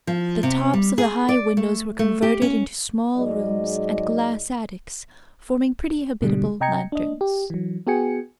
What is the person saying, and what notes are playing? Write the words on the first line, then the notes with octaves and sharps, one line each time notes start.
The tops of the high windows were converted into small rooms and glass attics, forming pretty habitable lanterns.
F3
C3
G3
G#4
D5
A3
A3
G4
C#4
G#2 F#3 G#3 D5 D#5
G#2 B2 D3 G3
C3 D#5 G5 A#5 G#6 C#7
D4 D#5
G4
E3 F#3
B3 F#4 G#4 G5 G#5 C#7